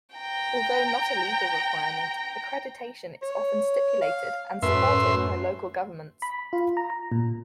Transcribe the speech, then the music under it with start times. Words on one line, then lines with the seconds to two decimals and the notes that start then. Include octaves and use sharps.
Although not a legal requirement, accreditation is often stipulated and supported by local governments.
0.16 G5 A#5
3.22 C#5
4.02 F5
4.63 F#2 A2 B4 E5 C6
6.22 B5
6.53 F4
6.77 A#5
7.12 A#2